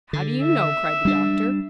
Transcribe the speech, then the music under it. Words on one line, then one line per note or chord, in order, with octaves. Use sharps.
"How do you know?" cried the doctor.
D3
E5
G3 D4